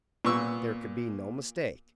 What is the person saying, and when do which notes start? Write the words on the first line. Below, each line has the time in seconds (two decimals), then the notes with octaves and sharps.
There could be no mistake.
0.25 A#2 B3 C#6 E6